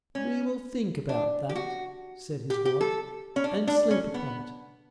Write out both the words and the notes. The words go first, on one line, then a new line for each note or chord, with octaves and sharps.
"We will think about that," said his wife, "and sleep upon it."
C#4
D4
G4
F#4
G4
G4
A4
C#4
D4
D4
C#4
B3